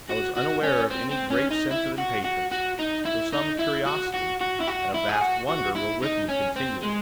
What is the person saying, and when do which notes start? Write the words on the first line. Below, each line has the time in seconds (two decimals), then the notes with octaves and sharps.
I was unaware of any great sense of impatience; though some curiosity and a vast wonder were with me continually.
0.09 F#4
0.36 F#4
0.63 C#4
0.90 C4
1.11 C4
1.30 C#4
1.51 D#4
1.71 E4
1.98 F#4
2.25 F#4
2.52 F#4
2.79 D#4
3.05 E4
3.33 D#4
3.59 E4
3.86 F#4
4.14 F#4
4.41 F#4
4.60 E4
4.68 F#4
4.94 E4
5.09 G#4
5.21 F#4
5.49 F#4
5.75 E4
6.02 D#4
6.29 C#4
6.56 C4
6.83 G#3